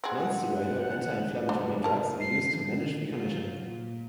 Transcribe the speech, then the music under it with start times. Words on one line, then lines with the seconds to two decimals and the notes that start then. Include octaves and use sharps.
Non-steroidal anti-inflammatory drugs are used to manage the condition.
0.04 C4 G#4 F#5
1.49 D4 C5
1.84 A#4 A5
2.20 C7
3.08 F#3 F4
3.61 A#2